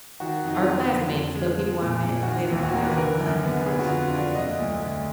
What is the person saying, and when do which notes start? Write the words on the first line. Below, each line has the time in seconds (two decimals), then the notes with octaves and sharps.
our classmates, but people I met later on down the line and I was just like, "mm"
0.20 D#3 F#4
0.44 F2 D#4
0.55 F4
0.67 F2
0.90 D3
1.13 F2
1.35 G#3
1.59 F3
1.82 A#2
2.05 A#2
2.23 F#4
2.28 D#3 F4
2.51 D#2
2.57 F4
2.63 F#4
2.74 A#3
2.88 B4
2.97 D3 A#4
3.21 F#2
3.44 B3
3.66 D3 G#4
3.79 F#4
3.84 F4
3.90 F2
4.02 F4
4.13 D4 F4
4.35 D3 D#5
4.58 D2
4.82 D2